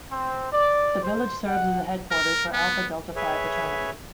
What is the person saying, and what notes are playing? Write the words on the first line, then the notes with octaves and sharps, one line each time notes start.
The village serves as the headquarters for Alpha Delta Phi fraternity.
C4
D5
C5
F#5
A#4
B3
G#4 B4 C#5 E5